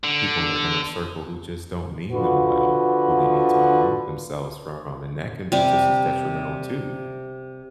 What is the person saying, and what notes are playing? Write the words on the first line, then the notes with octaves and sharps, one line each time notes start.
people in their inner circle who just don't mean them well, who they need to remove themselves from, and that can be just as detrimental too.
D3
D3 F3 F#4 B4
C3 G3